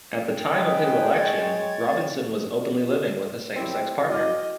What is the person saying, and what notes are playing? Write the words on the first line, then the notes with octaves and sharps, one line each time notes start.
At the time of his election, Robinson was openly living with a same-sex partner.
G5
G#3 G#4 B4
C#5 G#6 A6
C4 E4 G4
F#4 D#5 D6 F6